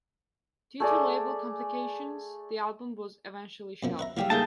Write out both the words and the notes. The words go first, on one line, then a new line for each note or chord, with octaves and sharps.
Due to label complications, the album was eventually shelved.
A3 G#4 D5
F#2 B2 F3
B4 E5 A#5
F#3 G3 G#4 D5 E5 F5
A#2 A3 A#3 D#4 G#4 G5 A5